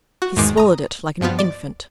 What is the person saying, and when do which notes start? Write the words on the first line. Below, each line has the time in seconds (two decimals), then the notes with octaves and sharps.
He swallowed it like an infant.
0.22 F#4
0.36 E2 G#2 D#3 G#3 D6 C7
0.57 A#5 D#6
1.21 G2 F3 B3 F4
1.39 D5